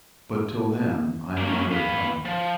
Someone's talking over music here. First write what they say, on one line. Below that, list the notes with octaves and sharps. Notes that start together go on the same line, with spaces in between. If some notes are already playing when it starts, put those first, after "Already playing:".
But, till then, I am under a tie.
A#3 C#4
B4 F5
F3